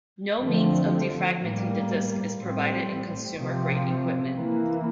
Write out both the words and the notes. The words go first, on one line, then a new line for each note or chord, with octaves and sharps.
No means of defragmenting the disc is provided in consumer grade equipment.
D3 F3 A3 C4
A2 G3 A#3
A2 G3 C4
C3 F3 C4
E3 A#3